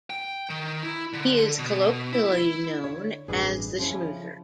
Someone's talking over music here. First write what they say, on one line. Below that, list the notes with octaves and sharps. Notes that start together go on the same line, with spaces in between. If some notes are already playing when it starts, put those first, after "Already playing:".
He is colloquially known as The Schmoozer.
G5
D#3
E4
D3
B2
E4
E4
D3 C#5
A1 G2 C3 G#4 B4 D6
C#3 F3 C#4 E4